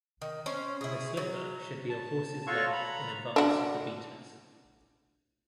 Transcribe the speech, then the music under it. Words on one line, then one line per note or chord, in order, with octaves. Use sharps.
The slipper should be a horse's length in advance of the beaters.
D#3
C#4 C5
E4 G#4
F#3
A5
F4 F#4 A4 C#5 F5 C#6
A#5 B5
D4 F#4